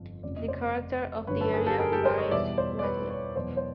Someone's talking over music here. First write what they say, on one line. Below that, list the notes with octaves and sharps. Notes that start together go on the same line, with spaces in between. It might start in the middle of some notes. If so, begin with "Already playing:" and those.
The character of the area varies widely.
Already playing: G1 F2
F1 F2 C#3 D5
D#5
C5 D5
G1 F#2 D3 G3 B4 C#5
A4 B4
G#4 A#4
G4 A4
G#4 A#4
G4 A4
A#4 C5
C#5 D#5
E2 B2 G3 D5 E5
C5 D5
D5
B4 C#5
B4 C#5
E1 E2 B2 F#3 C5 D5
C5